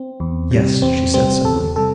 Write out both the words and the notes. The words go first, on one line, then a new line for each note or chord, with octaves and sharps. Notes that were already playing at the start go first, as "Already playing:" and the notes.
"Yes," she said simply.
Already playing: C4
E2
C3 G3
E2 C4
C3 G3 C4
E2 A4
C3 G3 A4